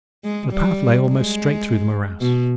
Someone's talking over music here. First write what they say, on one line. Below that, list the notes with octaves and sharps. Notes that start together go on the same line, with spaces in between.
The path lay almost straight through the morass.
G#3
G3
G#3
B2